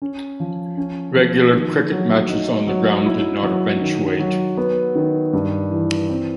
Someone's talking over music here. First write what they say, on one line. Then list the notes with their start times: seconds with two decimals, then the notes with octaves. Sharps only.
Regular cricket matches on the ground did not eventuate.
0.02 C#4
0.40 F3
0.77 C#4
1.16 F3
1.53 D#3
1.92 F#3
2.29 D#4
2.67 F#3
3.05 E4
3.43 F#3
3.81 D#3
4.19 F#3
4.57 B3
4.95 D#3
5.33 G2
5.71 E3
6.09 C4